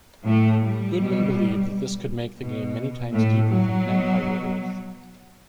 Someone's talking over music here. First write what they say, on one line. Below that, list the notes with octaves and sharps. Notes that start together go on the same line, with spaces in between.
Goodman believed that this could make the game many times deeper than "Empire Earth".
A2 A3
G3
B2
B2
A2 A3
F#3
B2